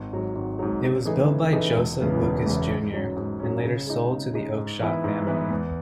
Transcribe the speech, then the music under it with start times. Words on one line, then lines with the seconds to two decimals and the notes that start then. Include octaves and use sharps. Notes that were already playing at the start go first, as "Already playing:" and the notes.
It was built by Joseph Lucas Junior, and later sold to the Oakshott family.
Already playing: G#1
0.13 G#2 F#3
0.35 G#1
0.59 G#2 F#3
0.82 C#3
1.05 E3 A3 D#4 G#4
1.30 C#3
1.53 E3 A3 D#4 G#4
1.76 E1
2.00 E2 C#3 E3 B3
2.23 E1
2.46 E2 C#3 E3 B3
2.70 G#2
2.93 F#3 C#4
3.16 G#2
3.40 F#3 C#4
3.63 C#3
3.87 G#3 D#4
4.10 C#3
4.33 G#3 D#4
4.57 G#2
4.81 E3 B3 E4 B4
5.04 G#2
5.27 E3 B3 E4 B4
5.50 E2